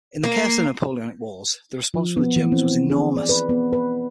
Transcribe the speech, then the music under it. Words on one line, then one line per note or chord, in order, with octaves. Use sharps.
In the chaos of the Napoleonic wars, the response from Germans was enormous.
A#3
F3
B3
E3
C4
G#4
D5
B4
B3
B4